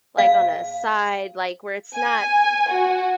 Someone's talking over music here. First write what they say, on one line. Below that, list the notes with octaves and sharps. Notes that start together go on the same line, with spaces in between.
like, on a side like, where it's not
F5
G#5
F#4